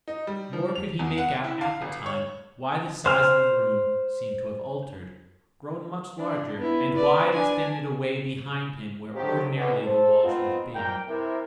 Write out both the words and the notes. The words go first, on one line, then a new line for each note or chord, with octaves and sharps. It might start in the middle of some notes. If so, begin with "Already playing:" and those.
Nor could he make out at the time why the size of the room seemed to have altered, grown much larger, and why it extended away behind him where ordinarily the wall should have been.
D#4
G3
F3
F7
E2
F#5
E4
F5
G1
C#5
C5 F6
D4
B3 E4
B4 D5
D4 G#5
D#3 F3 F#3 C4 G4
D2 B2
A4 C5
B3 C4 D#4 F4
F2 A#2 A#4 G5
C3 C4 E4 A#4